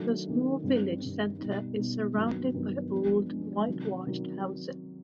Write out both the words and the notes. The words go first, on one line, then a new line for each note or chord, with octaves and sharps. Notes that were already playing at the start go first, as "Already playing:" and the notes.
The small village center is surrounded by old whitewashed houses.
Already playing: D#3 F#3 A3 D4
D#3 F#3 A3 D4
G2 D#3 G3 C4
G2 D#3 G3 C4
B2 G3 B3 D#4
B2 G3 B3 D#4
G2 D#3 F#3 B3
G2 D#3 F#3 B3
F3 G#3 B3 D4
F3 G#3 B3 D4
C3 D#3 F#3
C3 D#3 F#3